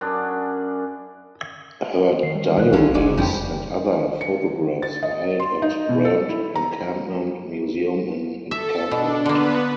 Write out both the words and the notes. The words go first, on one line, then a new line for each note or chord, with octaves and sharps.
Her diaries and other photographs are held at Grand Encampment Museum in Encampment.
F#2 D4 G#4 D5
D#3 C7
G3
B1 E3 F#6
B1 D3 C#4 D4 F5
F1 G#2 C#4 D#4 G#4 D5
F2 C#3 F3 G3 G5
C#7
A6
D#5
C6
D#4
B2
A4
E4
A#5
A4 E5
B2 D4
D3 A#3 B3 B4